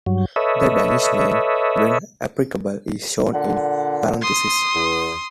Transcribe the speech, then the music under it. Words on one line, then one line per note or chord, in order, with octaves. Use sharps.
The Danish name, when applicable, is shown in parentheses.
G2 F#3
A4 B4 C#5 D#5 E5
A#2 D3 F#5
C6 D#6
E2